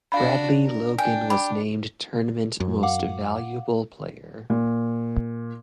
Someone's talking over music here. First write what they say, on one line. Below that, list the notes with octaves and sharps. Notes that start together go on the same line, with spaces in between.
Bradley Logan was named Tournament Most Valuable Player.
D4 F#4 F5 B5
A#4
D4 G5 G#5
G4 B5
F#2
F5 F#5 D6
A#2